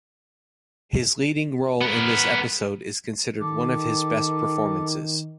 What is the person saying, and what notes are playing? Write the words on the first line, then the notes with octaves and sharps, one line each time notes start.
His leading role in this episode is considered one of his best performances.
B3 A#4
D#3 G4 A4